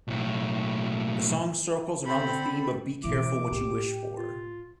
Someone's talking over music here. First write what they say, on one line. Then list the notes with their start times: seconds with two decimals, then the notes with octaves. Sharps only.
The song circles around the theme of "be careful what you wish for".
0.08 B1 A2
2.06 D3 C4 A4 B5
3.04 B2 E3 E4 D6
3.51 A2 A#3 G4
4.16 F4